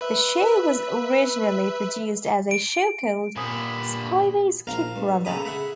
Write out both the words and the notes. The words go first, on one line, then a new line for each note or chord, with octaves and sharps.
The show was originally produced as a show called "Spivey's Kid Brother".
B4 E5
D7
G2 A#2 D3 G#5 B5 D#6
A#1 F5 A#5
G2
C#3 A4 A#5 B5 D#6
G#4 E5 F#5 B5